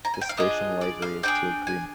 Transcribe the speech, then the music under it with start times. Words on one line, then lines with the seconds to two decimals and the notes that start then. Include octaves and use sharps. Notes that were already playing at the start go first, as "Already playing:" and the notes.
The station livery is teal green.
0.05 A#5
0.14 G#5
0.21 G5
0.29 F5
0.37 D4 F4 G#4 D#5
0.81 D5
1.02 F5
1.23 D4 F4 G#4 G5
1.67 G#5